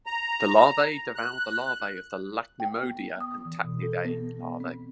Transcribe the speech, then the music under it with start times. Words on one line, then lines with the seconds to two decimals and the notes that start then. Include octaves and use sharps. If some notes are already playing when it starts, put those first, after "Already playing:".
The larvae devour the larvae of the Ichneumonidae and Tachinidae larvae.
0.06 A#5
1.16 F#6
2.60 G5
2.83 B3
3.20 D#6
3.45 E3
3.64 B2
3.82 A4
4.05 B3
4.60 C4